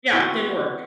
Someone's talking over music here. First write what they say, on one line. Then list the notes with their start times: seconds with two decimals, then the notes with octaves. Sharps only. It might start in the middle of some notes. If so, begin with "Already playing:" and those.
Yeah, didn't work.
0.12 E3 B3 C4 F#4